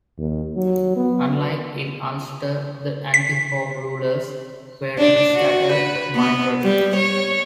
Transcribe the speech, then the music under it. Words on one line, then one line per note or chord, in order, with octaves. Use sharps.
Unlike in Ulster, the anti-Home Rulers were a scattered minority.
D#2
F#3
B3
B6
D4
F#4
B4
B3
G3
C#5